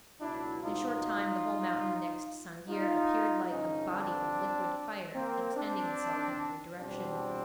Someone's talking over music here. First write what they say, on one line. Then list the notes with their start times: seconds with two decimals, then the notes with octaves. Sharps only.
In short time the whole mountain next Sang'ir appeared like a body of liquid fire, extending itself in every direction.
0.21 C#2 B2 F#3 D4 E4
0.62 D#4 F4
2.68 D#4 F4
3.50 G2 D3 F3 C#4 D#4
3.91 C4 D4
5.14 A#3 C4
5.55 C4 D4
6.79 E2 B2 G3 C4 D4